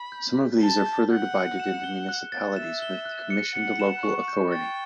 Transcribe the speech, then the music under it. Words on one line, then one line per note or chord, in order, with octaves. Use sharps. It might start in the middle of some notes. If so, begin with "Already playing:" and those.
Some of these are further divided into Municipalities with Commissioned Local Authority.
Already playing: B5
G6
B6
A5 G7
G6
F#5 G6
C#7
E7
G7
F#6
A6
E5 E7
G7
F#6
C#7
F#5 C#7
E7
C#6
G6
G5 A6